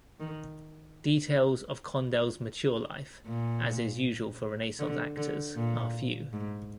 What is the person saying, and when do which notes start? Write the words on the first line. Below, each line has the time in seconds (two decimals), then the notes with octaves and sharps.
Details of Condell's mature life, as is usual for Renaissance actors, are few.
0.20 D#3
3.26 A#2
4.79 D3
5.17 D3
5.56 A#2
6.33 G#2